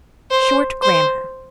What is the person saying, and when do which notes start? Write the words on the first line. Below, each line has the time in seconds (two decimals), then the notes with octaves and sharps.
Short Grammar.
0.31 C5
0.82 C5